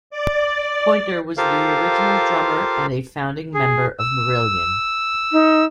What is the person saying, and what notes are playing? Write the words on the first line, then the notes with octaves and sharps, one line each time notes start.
Pointer was the original drummer and a founding member of Marillion.
D5
F4 G4 A4 A#4 C5 F5
G#4
E6
D#4